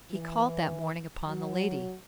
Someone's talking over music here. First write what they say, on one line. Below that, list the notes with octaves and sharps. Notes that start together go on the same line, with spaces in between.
He called that morning upon the lady.
E3
F#3